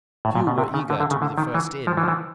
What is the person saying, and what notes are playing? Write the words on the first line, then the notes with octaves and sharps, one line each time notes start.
Few were eager to be the first in.
A2
A#2
B2
C3
C#3
D3
D3
C#3
D3
D#3
E3
F3
E3
F3
E3